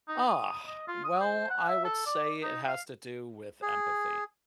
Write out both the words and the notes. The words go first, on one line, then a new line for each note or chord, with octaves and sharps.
Ah! Well, I would say it has to do with empathy.
D#4
D#6
D#5
F4
D#6
C5
F#5
E5
A4
D5
D#4
F5
G#4